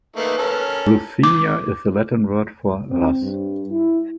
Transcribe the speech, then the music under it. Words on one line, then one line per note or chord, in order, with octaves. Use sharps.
Ruthenia is the Latin word for Rus'.
A3 A#3 D#4 B4
C#4 A4 A#4
D6
C4
G2
E4